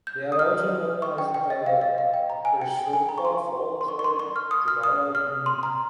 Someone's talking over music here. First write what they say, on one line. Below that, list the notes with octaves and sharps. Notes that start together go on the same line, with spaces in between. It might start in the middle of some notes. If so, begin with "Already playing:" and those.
They are also known as the Gersoppa Falls or Jogada Gundi.
G6
D#6
F6
C#6
G5
G5
D#5
F5
D#5
F5
G5
A#5
G#5
G5
G5
G#5
A#5
C#6
C6
C6
C#6
C#6
C6
C#6
F6
D#6
F6
D#6
F6
C6
A#5